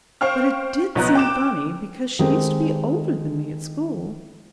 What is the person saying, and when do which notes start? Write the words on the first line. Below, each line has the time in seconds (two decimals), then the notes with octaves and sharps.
"But it did seem funny, because she used to be older than me at school."
0.21 C5 F5 G5 C#6 F6
0.95 B1 F3 B3 D#5 A#5 F#6
1.15 G5 D6 E7
2.19 D#3 G#3 A3 C4 G4 G#4